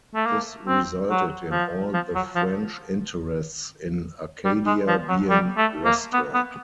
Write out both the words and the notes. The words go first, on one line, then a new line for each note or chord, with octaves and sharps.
This resulted in all the French interests in Acadia being restored.
A3
A#3
C4
F#3
F3
F3
F#3
F3
G3
G#3
F3
F#3
G3
A3
A#3
B3
B3